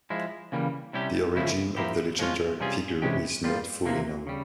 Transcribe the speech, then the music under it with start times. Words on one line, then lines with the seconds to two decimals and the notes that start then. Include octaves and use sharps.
The origin of the legendary figure is not fully known.
0.10 F3 G#3 E4
0.52 C#3 E3 G3 A#3
0.93 C3 G3 C#4 E4 G4
1.35 C#3 F3 G#3 E4
1.76 F3 A#3 E4 G4
2.19 F3 G#3 C#4 F4
2.60 C3 G3 C#4 F4 G#4
3.02 C3 E3 G#3 C#4 G4
3.44 G3 A#3 F4
3.85 C3 E3 A#3
4.27 C#3 G3